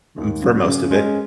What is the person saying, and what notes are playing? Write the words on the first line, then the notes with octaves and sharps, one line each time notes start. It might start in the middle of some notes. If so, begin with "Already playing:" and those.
mm, for most of it,
D#2
C#3 F#3
C#3
G#3 C#4